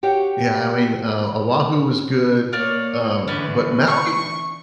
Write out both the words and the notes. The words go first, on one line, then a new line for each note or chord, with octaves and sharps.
Yeah, I mean, uh, Oahu was good, um, but Maui
F#4 G4 C#5 F5 G5
A#3 A#4 C#5 D5 F5
D3 E3 C#4 D4 B4
E3 C#6